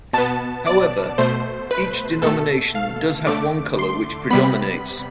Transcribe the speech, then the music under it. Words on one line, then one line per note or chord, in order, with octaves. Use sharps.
However, each denomination does have one colour which predominates.
B2 B3 A5
D5
B2 A3 C5
B4
B2 A3 A4
F5
D3 A3 D6
C6
C3 G3 B3 B5